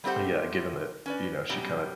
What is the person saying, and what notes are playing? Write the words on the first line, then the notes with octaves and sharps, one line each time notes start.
Yeah, given that, you know, she kind of
G3 A3 C4 G4 C5 F#5
C#4 B4 D5
F#2 B2 G3 C4